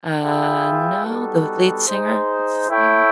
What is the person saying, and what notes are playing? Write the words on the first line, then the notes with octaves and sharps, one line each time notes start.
Uh, no, the lead singer, what's his name?
F4 G#4 B4 E5 G5
G3 B3 D#4 F#4 A4
D#4 G#4 C5
E4 A4 C#5 E5 G5